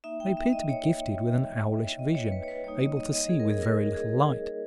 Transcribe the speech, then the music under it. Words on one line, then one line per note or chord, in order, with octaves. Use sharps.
They appeared to be gifted with an owlish vision, able to see with very little light.
A#3 D#4 E5
G5
E5
D#5
C#5
D#5
C#5
B4
C#5
B4
G3 A#3 D#4 C#5
D#5
D#5
D#5
G#4
A#4
G#4
A#4
G#4